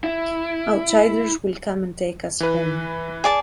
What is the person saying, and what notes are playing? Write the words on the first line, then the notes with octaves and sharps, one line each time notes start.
Outsiders will come and take us home.
E4
E3 B4
G#4 D5 A5